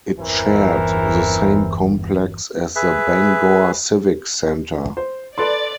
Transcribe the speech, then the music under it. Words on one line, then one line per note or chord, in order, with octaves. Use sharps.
It shared the same complex as the Bangor Civic Center.
G1 E2 E3 C4 A#4
G#4 B4 E5
C5
A4 B4 D5 C6